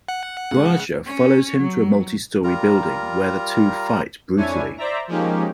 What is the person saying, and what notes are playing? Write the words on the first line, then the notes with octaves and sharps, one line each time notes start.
Raja follows him to a multi-story building where the two fight brutally.
F#5
C#3 G#3
C#4 C#5
F#3
G3 F4 A#4 A#5
F2 D4 E4 C#5 G#5
C5 D5 E5 A#5
F3 G#3 A#3 C#4 D#4 G4